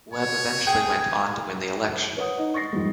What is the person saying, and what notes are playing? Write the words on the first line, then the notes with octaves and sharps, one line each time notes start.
Webb eventually went on to win the election.
C#5
G#4 G5
B4 C#5 F#5 D#6
D#4
C#6 A6 A#6 C7
F2 G#2 G3